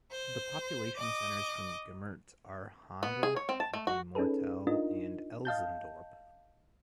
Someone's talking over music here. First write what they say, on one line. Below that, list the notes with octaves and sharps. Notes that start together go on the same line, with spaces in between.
The Population centres from Gemert are "Handel", "De Mortel" and "Elsendorp".
C5
D#5 D6
B3
G#4
C#5
C4
A5
A3
F#4
C#4 D#4 G#4 A4 B4
D4 D#4 F4 A#4 D#5
D#5 F5 A5 G6